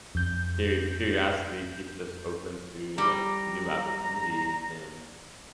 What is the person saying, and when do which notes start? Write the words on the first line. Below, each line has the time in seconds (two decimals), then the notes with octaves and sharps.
Curi curiosity keeps us open to, like, new opportunities, and,
0.15 F2 G6
2.98 G3 A#5